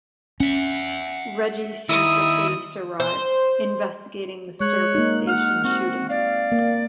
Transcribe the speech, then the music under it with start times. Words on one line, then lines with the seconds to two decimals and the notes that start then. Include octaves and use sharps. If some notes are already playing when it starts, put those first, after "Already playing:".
Reggie sees the police arrive, investigating the service station shooting.
0.40 C#4 E5 F#5
1.89 D#2 E4 D#6
3.00 C5
4.61 G#3 C#5 F#6
4.95 A#3 D#4
5.27 F#5 F6
5.64 C4 F#4
6.09 D5 F5
6.52 A#3